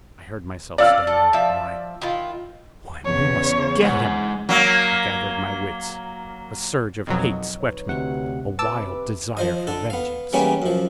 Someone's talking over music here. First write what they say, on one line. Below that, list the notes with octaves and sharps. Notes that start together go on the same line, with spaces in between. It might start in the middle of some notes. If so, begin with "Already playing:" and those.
I heard myself stammering, "Why--why we must get him!" I gathered my wits; a surge of hate swept me; a wild desire for vengeance.
C#4 D5 F5 E6 F6
A4
F3 E5
D#3 E4 F4
E2 C#3 C#5
G#3 F#5
F#3 A#3
F2 B2 D#3 F#3 F#4 D#5
D#4 B4 C#5
D2 C3 F#5
C3 B4 A5 D6 E6
F3 C5 D#5
D3 A4
B3 F5
C#3 E3 G3 A#3 B3 C#4
F#2 F3